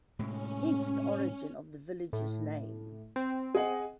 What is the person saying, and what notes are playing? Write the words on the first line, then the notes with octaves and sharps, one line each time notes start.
Hence, the origin of the village's name.
A2 C3 G#3 C#4
A2
C4
G#4 D#5 F#5